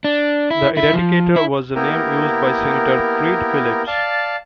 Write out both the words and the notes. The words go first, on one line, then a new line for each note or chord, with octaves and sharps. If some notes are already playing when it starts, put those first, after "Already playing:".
The Eradicator was the name used by Senator Creed Phillips.
D4
E4
E4
F3
E4
A#3 B3 E4 G4 A#4
D5 F5 A5